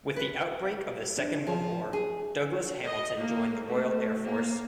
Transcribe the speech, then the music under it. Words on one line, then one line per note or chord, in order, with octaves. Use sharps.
With the outbreak of the Second World War, Douglas-Hamilton joined the Royal Air Force.
B4
D4
F3
G#4
D#5
A#3
A3
A#3